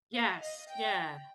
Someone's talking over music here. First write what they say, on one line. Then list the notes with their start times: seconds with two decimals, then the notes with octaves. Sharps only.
Yes, yeah.
0.13 F5
0.41 D#5
0.70 G5